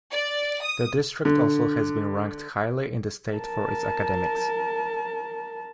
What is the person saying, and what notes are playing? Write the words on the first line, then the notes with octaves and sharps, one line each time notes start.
The district also has been ranked highly in the state for its academics.
D5
D#6
D3
A#4 A5